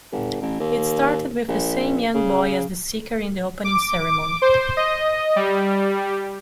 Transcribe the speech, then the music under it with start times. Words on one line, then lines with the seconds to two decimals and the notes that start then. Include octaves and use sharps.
It started with the same young boy as the "Seeker" in the opening ceremony.
0.12 G1
0.42 A1
0.60 D#2
1.48 A#1
2.14 C#3
3.64 D6
4.42 C5
4.77 D#5
5.36 G3